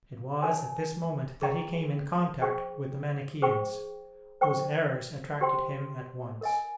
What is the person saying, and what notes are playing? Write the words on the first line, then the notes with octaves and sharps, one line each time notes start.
It was at this moment that he came in contact with the Manicheans, whose errors attracted him at once.
D#4 A#4 C#5 G#5
G#4 D#5 G5 A#5 C#6
G#4 C5 G5 C#6
G#4 C5 G5 C#6
C5 G5 C#6
G4 C5 G5 C6
A#4 D#5 G#5